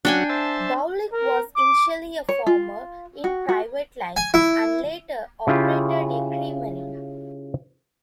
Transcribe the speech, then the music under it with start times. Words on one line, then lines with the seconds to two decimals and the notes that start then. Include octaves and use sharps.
Boulic was initially a farmer in private life, and later operated a creamery.
0.05 F#3 C#4 D4 F#4 G5 G#5
0.29 C5 E5 A5
1.13 A#4
1.56 D6
2.29 C#5
2.47 F4
3.24 F#4
3.49 F#4
4.17 G#5
4.34 E4
5.47 C#3 E4 F4 G4